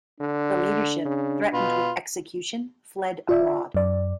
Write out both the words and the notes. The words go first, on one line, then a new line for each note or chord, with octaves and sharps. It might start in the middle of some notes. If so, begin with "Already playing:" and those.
The leadership, threatened with execution, fled abroad.
D3 D4
C#3
B2 F4 B4
F4 D5 E5
F#2 D5